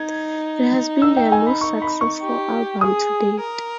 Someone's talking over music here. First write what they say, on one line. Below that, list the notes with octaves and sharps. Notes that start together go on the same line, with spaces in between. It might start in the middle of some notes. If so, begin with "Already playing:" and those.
It has been their most successful album to date.
Already playing: D#4 G#6
E6
G5
G#5
B5
C#6
B5
C#6
G4
G#4 D#6
A#4